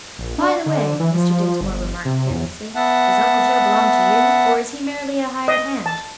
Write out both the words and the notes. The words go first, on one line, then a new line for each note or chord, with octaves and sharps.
"By the way," Mr. Dinsmore remarked carelessly, "does Uncle Joe belong to you? or is he merely a hired hand?"
A#1
D4
D3
E3
F3
G1
C3
E2
B3 E5 F#5 A5
D#5
A5